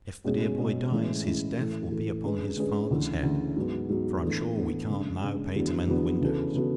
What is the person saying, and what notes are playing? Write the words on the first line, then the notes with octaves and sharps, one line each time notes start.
If the dear boy dies, his death will be upon his father's head; for I'm sure we can't now pay to mend windows.
B2 G#3 C#4 G#4
B2 G#3 C#4 G#4
A2 E3 G#3 C#4 E4
A2 E3 G#3 C#4 E4
A2 E3 A3
A2 E3 A3
D3 G#3 C#4 G#4 B4
D3 G#3 C#4 G#4 B4
D2 C#3 E3
D2 C#3 E3
G#2 F#3 B3
G#2 F#3 B3
A2 E3 B3 D4 A4
A2 E3 B3 D4 A4
C#3 G#3 D4
C#3 G#3 D4
E2 D3 F#3 B3
E2 D3 F#3 B3
C#3 E3 B3 F#4 A4
C#3 E3 B3 F#4 A4